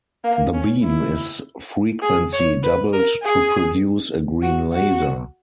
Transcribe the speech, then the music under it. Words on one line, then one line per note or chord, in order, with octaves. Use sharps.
The beam is frequency doubled to produce a green laser.
A#3
C#4
E4
G#4
C#5
B4
A#4
G#4
F#4
F#4